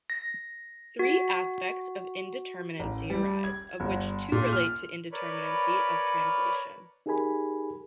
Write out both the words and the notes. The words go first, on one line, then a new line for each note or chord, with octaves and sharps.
Three aspects of indeterminacy arise, of which two relate to indeterminacy of translation.
A#6
F#4
A1
G3
G#6
G1
A#2
F6
A#4 B4 C#5 D5 B5
D#4 G4 G#4 A#4 G#5 B5